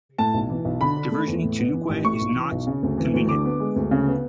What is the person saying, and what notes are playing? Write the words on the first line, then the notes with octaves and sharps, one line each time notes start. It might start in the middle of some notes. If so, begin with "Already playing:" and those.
Diversion to Newquay is not convenient.
A2 A5
B1
E3
B1
D3 B5
D4
A3
E2
A2
B3
E3
A1
A2 C#6
B1
E3
B1
C#3
D2
E3
D2
D3 D6
B3
G#3
D2
C#3
B3